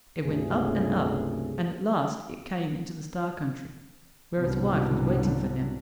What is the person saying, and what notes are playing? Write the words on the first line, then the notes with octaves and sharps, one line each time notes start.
It went up and up, and at last it came into the Star-country, where his wife was waiting for him.
C#2 G2 C3 F#3 A3 G#4
C2 G#2 B2 D3 F#3 G3